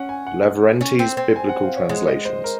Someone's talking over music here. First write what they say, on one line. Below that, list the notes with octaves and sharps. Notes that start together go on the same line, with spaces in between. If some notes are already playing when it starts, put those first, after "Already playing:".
Lavrentii's biblical translations.
Already playing: C#4 F#5
G#5
F#5
C#4
C4
C4
G#5
F#5
F5
C#5
G#3 F#5
D#5
C5
A#4